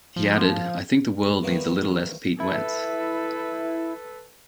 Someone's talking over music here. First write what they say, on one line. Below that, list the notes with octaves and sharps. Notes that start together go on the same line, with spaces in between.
He added: "I think the world needs a little less Pete Wentz".
F3
D#3 E3 G3 A#3 B3
E4 A4 B4